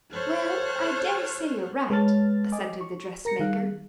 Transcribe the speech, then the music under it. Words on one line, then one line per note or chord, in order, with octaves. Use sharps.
"Well, I dare say you're right," assented the dressmaker.
A4 C5 C#5 F6 F#6
G#3 B4 C#5 A5 F6 A6
D#5 G#5 D6
C#6
A#4 A#5 A#6 C#7
D#3 G3 G#4 F5 F#6